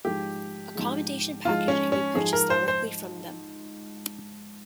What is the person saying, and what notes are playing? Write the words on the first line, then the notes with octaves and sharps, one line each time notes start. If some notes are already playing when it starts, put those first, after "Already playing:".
Accommodation package can be purchased directly from them.
G#2 F3 G#3 G4
G#2 F3 G#3
G#2 F3 G#3 F4
C#4
C#4
G#2 F3 G#3 G#4
A#4
C5
C5